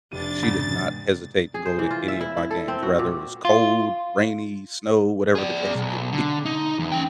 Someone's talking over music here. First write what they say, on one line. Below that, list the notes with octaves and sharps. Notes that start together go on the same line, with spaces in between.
she did not hesitate to go to any of my games, rather it was cold, rainy, snow, whatever the case may be.
F1 C3 D4 A6 D#7
E2 G#2 C#3
G#4
C5
E3
F4
E5
E4
E4
A4
C4
F#4
A#2
F4
G#4 D5
B1
D3
D#4
E2
C#4 G5